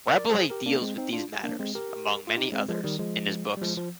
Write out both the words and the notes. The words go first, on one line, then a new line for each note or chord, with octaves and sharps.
Rabelais deals with these matters, among many others, in his books.
A#4 D5
G#4 C5
G4 A#4
A#3 D4
G#3 C4
C4 D#4
D4 F4
A#3 D4
G#3 C4
G4 A#4
F4
D#4 G4
G#3 C4
F3 G#3
D#3 G3
F3 G#3
G3
F3 G#3
F3